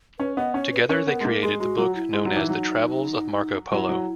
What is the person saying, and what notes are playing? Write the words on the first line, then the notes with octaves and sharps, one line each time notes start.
Together they created the book known as "The Travels of Marco Polo".
C#4 B4
B3 D#5
C#4 C#5
B4
C#4 A#4
B3 A#4
G#3
A#3
G#3 G#4
G#3 F#4
F#3
E4
G#3
F#3
D#4
E3
F#3
F#3 E4
F#3